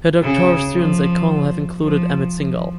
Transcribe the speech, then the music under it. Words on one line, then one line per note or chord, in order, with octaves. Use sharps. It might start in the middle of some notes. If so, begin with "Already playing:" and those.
Her doctoral students at Cornell have included Amit Singhal.
C#3
F3
F3
F3